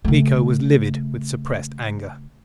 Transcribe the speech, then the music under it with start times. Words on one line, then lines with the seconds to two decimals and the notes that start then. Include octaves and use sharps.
Miko was livid with suppressed anger.
0.05 C#3 A3